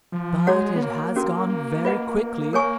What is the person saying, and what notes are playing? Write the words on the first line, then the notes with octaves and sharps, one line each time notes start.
"But it has gone very quickly."
F3
G#3 F#4 C#5 F#5
B3
A#3
C#4 F#4 A#4
F4 B4 D#5 F#5
A#3 A#4 C#5 G#5 C#6